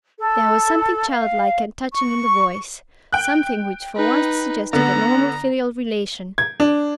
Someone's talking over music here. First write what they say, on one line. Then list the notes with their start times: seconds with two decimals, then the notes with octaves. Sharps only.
There was something childlike and touching in the voice, something which for once suggested the normal filial relation.
0.20 A4
1.09 F5
1.93 C#6
3.13 G5 F#6
3.97 D#4 B4
4.73 D3 B3 A#5
6.38 G#6
6.60 D4